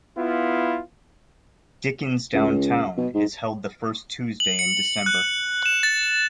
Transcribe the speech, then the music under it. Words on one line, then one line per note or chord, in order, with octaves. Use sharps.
Dickens Downtown is held the first Tuesday in December.
B3 E4 F4
C#2
B2
G#2
F#7
C#7
F#6
E7
A6